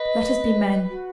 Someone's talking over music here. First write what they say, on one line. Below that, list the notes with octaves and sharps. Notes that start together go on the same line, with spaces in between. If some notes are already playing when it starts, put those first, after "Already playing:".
Let us be men!
Already playing: B4 D#5
F#4